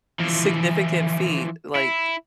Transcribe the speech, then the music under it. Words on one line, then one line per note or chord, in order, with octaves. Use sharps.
significant feat, like,
E3 F3
E4